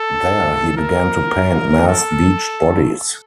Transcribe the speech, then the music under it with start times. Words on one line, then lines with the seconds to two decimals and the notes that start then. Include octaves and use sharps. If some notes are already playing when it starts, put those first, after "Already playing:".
There he began to paint massed beached bodies.
Already playing: A4
0.78 A#4
1.88 A4